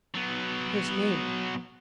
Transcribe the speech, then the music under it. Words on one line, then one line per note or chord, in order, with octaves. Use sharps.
His name?
F#3 B3